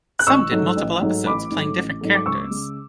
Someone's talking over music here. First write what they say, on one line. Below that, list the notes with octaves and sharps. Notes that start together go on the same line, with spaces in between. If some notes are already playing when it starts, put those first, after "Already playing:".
Some did multiple episodes playing different characters.
F#6
A1 C#6 E6
G#2 F#3 A3
A1
G#2 F#3 A3
A1 B5 D6
G#2 F#3 A3
A1
G#2 F#3 A3
D6
C#2 C#6 E6
C#3 G#3